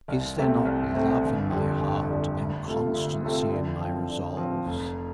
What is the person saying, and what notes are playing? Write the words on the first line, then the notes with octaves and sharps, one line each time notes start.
Is there not love in my heart, and constancy in my resolves?
C2
C3 A3 C4
C2
C3 A3 C4
G1
F2 D3 G3
G1
F2 D3 G3
D2
C3 A3 F4 A4
D2
C3 A3 F4 A4
D3
F3 C4
D3
F3 C4
F1